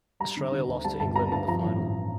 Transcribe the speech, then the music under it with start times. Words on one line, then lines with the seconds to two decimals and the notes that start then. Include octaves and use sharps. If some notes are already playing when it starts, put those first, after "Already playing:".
Australia lost to England in the final.
0.20 G3 A#5
0.37 D3
0.52 D3
0.68 D2
0.85 G3 A5
1.00 G1 A5
1.16 G3 A#5
1.31 G2 A5
1.48 F3 A#5
1.64 A1
1.80 A1